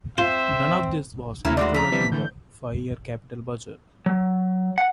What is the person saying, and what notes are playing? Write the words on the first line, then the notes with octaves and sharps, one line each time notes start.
None of this was included in the five-year capital budget.
C4 F4 C5 E5
D#2 A3 A#3 C#4 E4 A#5
G#2 G#3 F#4 D5
F2 A#5 B6
D3 E3 G3 C4
D3 E3 A3 G6
F#3
F#5